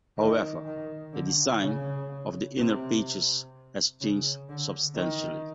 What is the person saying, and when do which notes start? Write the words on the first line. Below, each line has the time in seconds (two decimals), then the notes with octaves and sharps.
However, the design of the inner pages has changed substantially.
0.18 D#3
0.65 D#3
1.13 D3
1.61 C#3
2.57 C3
4.01 C#3
4.48 D3
4.95 D#3